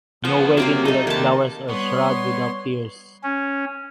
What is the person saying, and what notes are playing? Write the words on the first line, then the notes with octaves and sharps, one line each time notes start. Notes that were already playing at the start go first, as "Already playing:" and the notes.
No wedding without flowers or shroud without tears.
F3 B3 C5
C3 F#3 A#3 C4
G3 A3 D#4
D#2 A#4 A5
G3 B3 C#5 C6
C#4